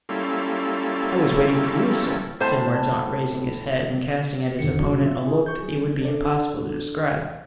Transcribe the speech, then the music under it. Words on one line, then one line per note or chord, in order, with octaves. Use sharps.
"I was waiting for you, sir," said Mordaunt, raising his head and casting at his opponent a look it would be impossible to describe.
G3 A#3 C#4 E4 F4 A4
A2 C5 A5
G#1 E2 D3 D#3 C#7
A2 C3 E3 F#3 D4 F#4
F4 E5
E4 G#4 C5
C#6 G6
F#3 G#4
D4 A4 A#4 D5